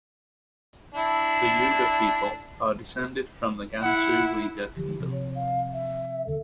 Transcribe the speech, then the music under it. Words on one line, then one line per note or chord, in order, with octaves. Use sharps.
The Yugur people are descended from the Gansu Uyghur Kingdom.
D4 E4
E4 F#5
D3 E3 F3 G4
C3 F3
C#5
F5
E5
D#2 D3 A4